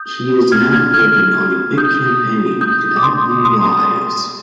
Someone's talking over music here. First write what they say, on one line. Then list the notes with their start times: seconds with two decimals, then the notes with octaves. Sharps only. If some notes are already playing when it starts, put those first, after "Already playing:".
He is now working on a big campaign to add more lies.
Already playing: D#6 G6
0.52 F6 G#6
0.73 F6 G#6
0.94 F6 G#6
1.78 D#6 G6
2.61 D#6 G6
2.97 D6
3.03 C6 D#6
3.45 C6 D#6